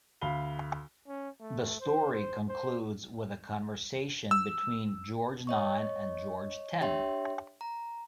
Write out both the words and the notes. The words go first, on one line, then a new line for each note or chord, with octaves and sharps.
The story concludes with a conversation between George Nine and George Ten.
D2 F5 B5 G7
C#4
A3
C5
C5
C5
E6
C#5 D#5 C#6
D4 G4 C#5 E5 G5 C6
A#5